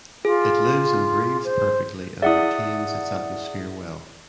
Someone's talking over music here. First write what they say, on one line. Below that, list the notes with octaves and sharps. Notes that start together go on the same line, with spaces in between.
It lives and breathes perfectly and retains its atmosphere well.
F4 G#4
C5
E4 G#4 D5 E5 F#5 D#6